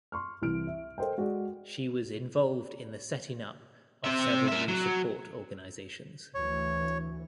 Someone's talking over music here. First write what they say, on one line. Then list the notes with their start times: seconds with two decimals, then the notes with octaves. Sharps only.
She was involved in the setting up of several new support organisations.
0.12 C6 C#6 F6
0.42 C2 E3 F6 D7
0.67 E5
0.98 A4 A#4 C5 D#5 G5
1.18 G#3 F#4 G#4 D5
4.04 C4 E5
4.48 A#4 E5
4.68 F#3
6.34 D2 E3 C#5